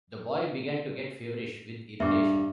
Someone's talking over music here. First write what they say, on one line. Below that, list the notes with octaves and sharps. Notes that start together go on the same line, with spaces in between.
The boy began to get feverish with irritation.
G2 E5 D6